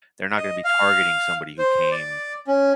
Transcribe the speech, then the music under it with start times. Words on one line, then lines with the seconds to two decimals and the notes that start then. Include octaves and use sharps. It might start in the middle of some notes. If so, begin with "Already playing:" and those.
They're not gonna be targeting somebody who came,
0.37 D#5
0.64 F5
1.58 C5
1.92 D5
2.47 C#4